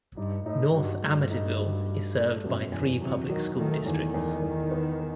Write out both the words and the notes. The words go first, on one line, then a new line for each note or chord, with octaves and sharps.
North Amityville is served by three public school districts.
G2 D#4
A2 D#4
G2 F#4
G2 A3
D#4
F#4
F#4
A3
F#2 B2
E2
C3 F#3
D#3 F#3
D#3 A3
E2 D#3
E2
E2
B3
B3